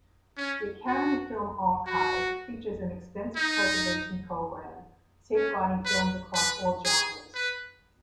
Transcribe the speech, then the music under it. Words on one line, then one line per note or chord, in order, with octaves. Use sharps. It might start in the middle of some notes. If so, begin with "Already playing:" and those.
The Academy Film Archive features an extensive preservation program, safeguarding films across all genres.
C#4
F#4
F#4
D#4
C#4
B4
B4
G#4
B4